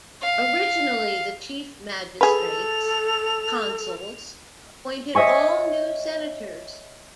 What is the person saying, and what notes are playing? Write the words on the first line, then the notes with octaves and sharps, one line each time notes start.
Originally the chief-magistrates, the "consuls", appointed all new senators.
F5
G#4 A4 B4 F7
C#5 D#5 E5 G#5 C#6